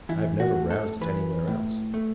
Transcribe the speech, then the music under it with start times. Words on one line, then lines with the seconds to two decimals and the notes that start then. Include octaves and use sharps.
I have never roused it anywhere else.
0.09 E3 E4
0.40 F#4
0.56 A2
0.70 A4
1.01 E3 B4
1.48 A2
1.94 A3